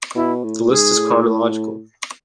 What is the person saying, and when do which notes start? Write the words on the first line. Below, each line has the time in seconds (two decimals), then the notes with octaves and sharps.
This list is chronological.
0.15 B2 E4
0.44 A2
0.70 G#2 G#4
0.97 A2